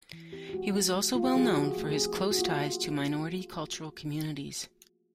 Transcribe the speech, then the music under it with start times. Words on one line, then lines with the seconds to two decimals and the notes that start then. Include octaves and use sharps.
He was also well known for his close ties to minority "cultural communities".
0.13 E3
0.33 C4 G4
0.49 G4
0.53 G#3 F#4
0.74 G#3
0.95 G#3
1.15 F3 F4
1.26 G4
1.36 F3 G#4
1.46 F#4
1.57 F4 F#4
1.78 A3
1.90 G#4
1.97 C4 G4
2.18 F4
2.31 F#4
2.39 A#3 F4